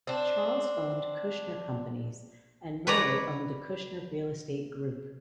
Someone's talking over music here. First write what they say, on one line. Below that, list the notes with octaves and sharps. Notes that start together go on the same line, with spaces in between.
Charles owns Kushner Companies and Murray owns the Kushner Real Estate Group.
C4 D4
B4 C#5 D5 A#5